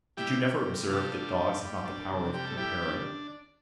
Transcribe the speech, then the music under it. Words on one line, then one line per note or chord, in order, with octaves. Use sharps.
Did you never observe that dogs have not the power of comparing?
G3 E4 G4
G3
C3
G3 F4 A4
D4
G3
G3
D4
C3
G3 G4
A4
G3 E4 G4
D4